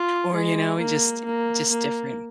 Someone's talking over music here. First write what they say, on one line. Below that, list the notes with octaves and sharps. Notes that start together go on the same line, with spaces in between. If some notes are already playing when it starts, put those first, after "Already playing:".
or, you know, just i just different
Already playing: F4
G#3
A#3
A#3
A#3